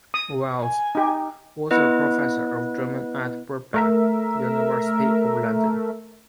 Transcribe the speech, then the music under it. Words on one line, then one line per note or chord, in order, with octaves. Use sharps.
Wells, was a Professor of German at Birkbeck, University of London.
D#6
G#5
D#4 G4
B3 E4 B4 D#5
A3 A#4 E5